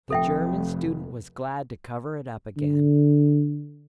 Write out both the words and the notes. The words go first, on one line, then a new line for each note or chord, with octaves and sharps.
The German student was glad to cover it up again.
F1 A4 E5 G5
D3